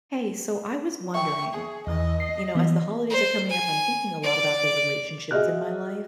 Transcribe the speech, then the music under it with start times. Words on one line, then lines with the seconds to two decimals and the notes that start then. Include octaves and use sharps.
Hey, so I was wondering, um, you know, as the holidays are coming up, I'm thinking a lot about the relationships in my life,
1.15 E5 G5 C#6
1.54 G#4
1.87 E2 D#5
2.20 C7
2.55 E3 B3
3.10 C5
3.50 G#5
4.23 D5 D6
5.31 F#4 G#4 D#5 E5 F6 F#6